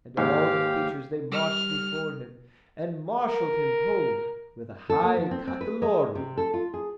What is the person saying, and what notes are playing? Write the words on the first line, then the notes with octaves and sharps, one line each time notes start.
And all the creatures they marched before him, And marshalled him home with a high cockolorum.
D#2 G#2 G4 F5
G3 F6
A#4
A4
A#3
F3
C4
C4
B4
G#3
C3
A4
F4
G#4